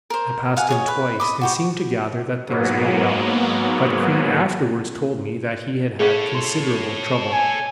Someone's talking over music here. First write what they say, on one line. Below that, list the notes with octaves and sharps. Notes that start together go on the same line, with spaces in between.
I passed him twice and seemed to gather that things were well, but Crean afterwards told me that he had had considerable trouble.
A#4 C5
F5 F#5 G#5
G#4 C#5 D#5
B4
D#5 B5 D6
F#4 G4 C#6
G#2 F#3 A#3 B3
G#4 A4 C#5 F5
C6
G#5